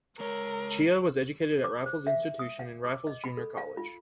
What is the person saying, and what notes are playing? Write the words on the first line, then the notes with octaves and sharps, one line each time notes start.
Xie was educated at Raffles Institution and Raffles Junior College.
G#3 A#4 C#5
D6
C5
E5
D#6
F5
D6
D#5
B5
A4
F5
F4